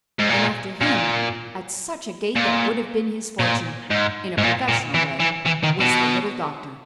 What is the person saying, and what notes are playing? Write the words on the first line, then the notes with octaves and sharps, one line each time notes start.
And after him, at such a gait that would have been his fortune, in a professional way, was the little doctor.
G#2
A#2
A#2
A#2
A#2
G#2
G#2
A#2
A#2
E3
E3
E3
D#3
B2